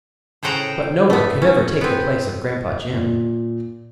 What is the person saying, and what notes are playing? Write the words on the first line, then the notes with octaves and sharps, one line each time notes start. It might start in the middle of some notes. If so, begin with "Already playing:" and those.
But no one could ever take the place of Gran'pa Jim.
A2 C#3 C5 F#5 G5 A#5
A3 B3
C#4
B3 C4
A#2